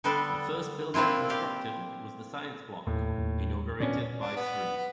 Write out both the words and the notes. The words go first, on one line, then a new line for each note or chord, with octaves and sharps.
The first building constructed was the science block, inaugurated by Sri.
D3 G3 B3 D4 A4
A#3 C4 D4 E4 F4
G4 F5
D#2 A2
D#2
A#2 B3 C#4 D4
D4
B3
B3